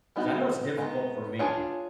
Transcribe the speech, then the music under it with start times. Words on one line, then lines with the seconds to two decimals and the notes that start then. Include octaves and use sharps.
'Cause I know it's difficult for me.
0.16 G3 B3 D#4 F#4
0.77 D#3 G#3 B3
1.39 D4 F4 G#4 C#5